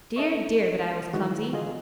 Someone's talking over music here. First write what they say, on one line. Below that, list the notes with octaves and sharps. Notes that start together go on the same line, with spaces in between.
Dear, dear, but I was clumsy!
C#4 A4 D#5 E5 C#6
D#3 E3 G#3 E4 F#4
D3 F4 G#4 D#5